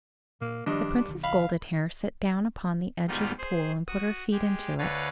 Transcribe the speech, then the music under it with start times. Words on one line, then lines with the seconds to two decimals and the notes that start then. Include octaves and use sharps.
The Princess Goldenhair sat down upon the edge of the pool and put her feet into it.
0.41 A#2 A#3
0.66 G2 D#3 F3 D4 D#5
1.08 B1 D#3
1.24 F5 B5
3.08 G#2 B2 D#3 G3 D#4 F4
3.38 G#4 C5
3.88 F#4 D#6
4.32 G#3 G4
4.79 D2 D3 B4 C#5 F5 A6